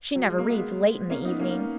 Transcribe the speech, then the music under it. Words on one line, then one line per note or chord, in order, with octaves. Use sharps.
She never reads late in the evening.
F#3
G#3
A#3
G#3 B3
A#3 C#4
B3 D#4
A#3 C#4